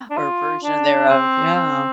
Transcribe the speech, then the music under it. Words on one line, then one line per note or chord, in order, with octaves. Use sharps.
Or version thereof, yeah.
D4
F4
D4
C4
C4